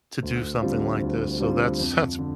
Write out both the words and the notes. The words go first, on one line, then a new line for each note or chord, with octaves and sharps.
to do something like this, so that's that's
D2
D3 G3 C4 F4
D2
D3 G3 C4 F4
F2
D3